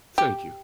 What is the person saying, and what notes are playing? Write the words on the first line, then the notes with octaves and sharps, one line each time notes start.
Thank you,
G4